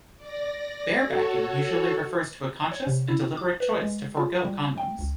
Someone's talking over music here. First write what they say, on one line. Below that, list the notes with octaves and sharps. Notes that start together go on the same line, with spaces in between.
"Barebacking" usually refers to a conscious and deliberate choice to forgo condoms.
D5 A#6
F#4 A4 C#5
C#5
C3
E4
D6
B4
G#3
F4
G3
G5
C#2